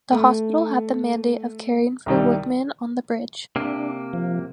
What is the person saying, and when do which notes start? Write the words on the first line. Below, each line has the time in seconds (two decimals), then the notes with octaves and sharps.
The hospital had the mandate of caring for workmen on the bridge.
0.12 A3
2.06 C2 D#3 G3
3.56 C3 A#3 D4
4.13 F3